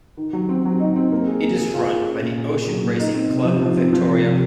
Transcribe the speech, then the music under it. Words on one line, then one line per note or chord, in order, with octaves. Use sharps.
It is run by the Ocean Racing Club of Victoria.
D#3
F#3
C4
F#3
D#4
C4
A#3
G#4
A#3
G#4
F4
G#4
C#4
A#2
G#4
G#4
F#3
A#2
D#4
C4
C3
F3
F3
C4
F3
C3
C3